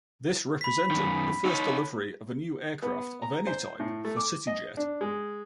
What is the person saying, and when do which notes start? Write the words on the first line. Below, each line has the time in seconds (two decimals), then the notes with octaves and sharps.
This represented the first delivery of a new aircraft, of any type, for CityJet.
0.61 B5 B6
0.91 F#2 D#3
1.45 D#4 C#5
2.82 B3
3.22 A#5
3.47 C5
3.80 A2
4.05 A3
4.17 D6
4.47 D#5
4.77 D4
5.01 G#3